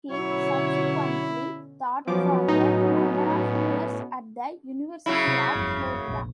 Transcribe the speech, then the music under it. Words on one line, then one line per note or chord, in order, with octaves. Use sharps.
He subsequently taught for a number of years at the University of Florida.
B2 D3 F#3 C#4 E4 C#5
B2 F3 F#3 B3 C#4 D6
A2 D#4
C#3 F#3 E4
C3
G1 F2
F1 A#1